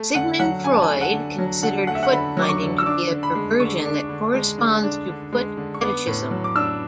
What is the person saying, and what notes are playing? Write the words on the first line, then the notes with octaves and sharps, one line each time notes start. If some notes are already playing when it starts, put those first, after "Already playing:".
Sigmund Freud considered footbinding to be a "perversion that corresponds to foot fetishism".
Already playing: A3
D3 F#5
F#3 F#5
D3 G#5
A5
G#5
A3
F#5
D3
F#3
D3 F#5
A3 F#5
E5
F#5
D3 B5
F#3
D6
C#6
D3
E6
D4 D6
D3
B5
G#3
D3 C#6
D4
D3
G#3
D3
D4
D3
G#3
D3
C#6
B3 D6
A2
F#3
D6
D4 E6